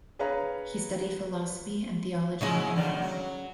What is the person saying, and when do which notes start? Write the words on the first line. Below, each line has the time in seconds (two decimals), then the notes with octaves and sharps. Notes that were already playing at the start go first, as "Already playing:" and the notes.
He studied philosophy and theology in Rome.
0.19 G#4 B4 C#5 F5 A#5
2.41 C#3 F#3 G#3 C#4 E4 D#5
2.76 D3 D#3 D5
3.02 F#3